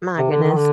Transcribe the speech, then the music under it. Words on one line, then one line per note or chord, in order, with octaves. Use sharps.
My goodness.
C3
D3
D3
D#3
D3